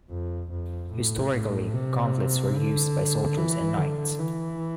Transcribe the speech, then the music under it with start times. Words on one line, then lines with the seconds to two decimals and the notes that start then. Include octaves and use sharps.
Historically, gauntlets were used by soldiers and knights.
0.10 F2
0.51 F2
0.92 A2
1.33 A2
1.74 C3
2.56 D3
3.38 E3
3.78 D3
4.19 E3